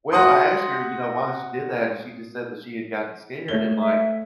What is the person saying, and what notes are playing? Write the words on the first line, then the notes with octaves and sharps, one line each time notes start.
Well, I asked her, you know, why she did that and she just said that she had gotten scared, and, like
F#4 F#5 C6 D#6
A3 C#5 G7
E5